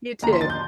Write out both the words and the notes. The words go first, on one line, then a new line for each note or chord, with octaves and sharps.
You too.
D#2 D3 F3 A#3 A#5
C6
A6
G6